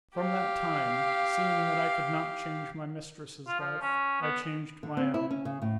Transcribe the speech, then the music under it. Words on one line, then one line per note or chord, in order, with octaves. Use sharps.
From that time, seeing that I could not change my mistress's life, I changed my own.
G4 F5
F4
F3
C#4
B3
D3
C4
E4
C#4
C#3
A2